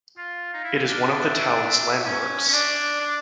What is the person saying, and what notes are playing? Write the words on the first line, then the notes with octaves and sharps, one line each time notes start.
It is one of the town's landmarks.
F4 F5
D#4
E4
D4
D4 E5
C#4
C#4
D4 D5
D4